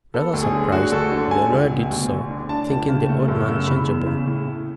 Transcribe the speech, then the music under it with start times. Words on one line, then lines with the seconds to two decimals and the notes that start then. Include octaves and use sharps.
Rather surprised, the lawyer did so, thinking the old man changeable.
0.14 B3 A4
0.33 D2
0.43 G#4
0.52 D3
0.72 D4 F#4
0.92 D2 A4
1.12 D3
1.31 C#4 G#5
1.52 C#2
1.71 B2
1.91 D2
2.11 D2
2.30 D3
2.49 D4 A5
2.70 C#2
2.88 C#3
3.09 A3
3.28 F#2
3.48 C#3
3.67 E2 B5
3.87 E2
4.06 C#3
4.26 A2
4.46 A2